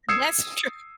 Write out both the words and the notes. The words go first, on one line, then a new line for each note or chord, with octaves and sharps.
that's true,
D#6 E6 G#6 C7 C#7 E7